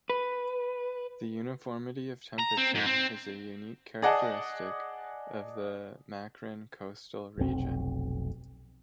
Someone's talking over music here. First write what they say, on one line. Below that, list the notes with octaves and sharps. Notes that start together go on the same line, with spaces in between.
The uniformity of temperature is a unique characteristic of the Makran Coastal region.
B4
A#5
C4
G#2
C4
G#4 D5 D#5 F#5 A5
F1 B1 C4